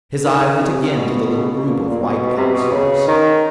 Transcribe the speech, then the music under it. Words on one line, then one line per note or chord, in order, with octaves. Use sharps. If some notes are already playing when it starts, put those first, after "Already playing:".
His eye went again to the little group of White Councillors.
D#3
D3
D#3
C3
C3
B2
A#2
A#2
B2
C3
B2
C#3
D#3